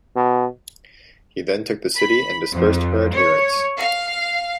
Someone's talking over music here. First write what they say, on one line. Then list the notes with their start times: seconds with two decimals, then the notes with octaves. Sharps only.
He then took the city and dispersed her adherents.
0.16 B2
1.96 B5
2.54 F2
3.14 C#5
3.77 F5